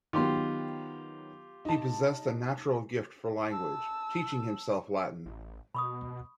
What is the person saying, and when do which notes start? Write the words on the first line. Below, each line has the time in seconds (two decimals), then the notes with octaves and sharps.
He possessed a natural gift for language, teaching himself Latin.
0.13 D#3 F#3 B3 F4 G4 C6
1.65 D#4 A5
3.51 A5 E6
5.26 A1
5.75 B2 B5 C#6 D#6